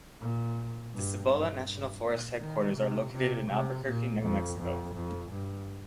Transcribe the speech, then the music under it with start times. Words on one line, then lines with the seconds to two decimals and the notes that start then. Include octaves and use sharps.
The Cibola National Forest headquarters are located in Albuquerque, New Mexico.
0.21 A#2
0.94 G2
1.30 G2
1.67 G2
2.03 A#2
2.40 D#3
2.77 C3
3.13 C3
3.49 C3
3.86 A#2
4.22 F2
4.59 F2
4.96 F2
5.32 G2